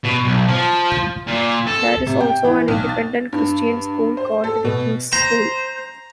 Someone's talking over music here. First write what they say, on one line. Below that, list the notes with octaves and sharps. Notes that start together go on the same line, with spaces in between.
There is also an independent Christian school called the King's School.
B2
B1
F3
A#2
A4
C3
G5
E3
B1
A6
G2
C5
A4
B2
C5 A#5